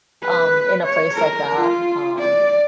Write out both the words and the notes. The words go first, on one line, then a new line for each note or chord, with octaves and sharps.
um, in a place like that, um,
B4
C#5
A#4
F4
D5